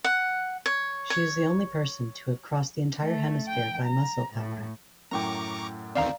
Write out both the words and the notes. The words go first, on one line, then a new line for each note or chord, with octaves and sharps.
She is the only person to have crossed the entire hemisphere by muscle power.
F#5
C#5
C#5
A3
G5
A#5
A2
F#2 A2 G5 A#5 C#6 D6
D2 D#3 C4 D5 F5 A#5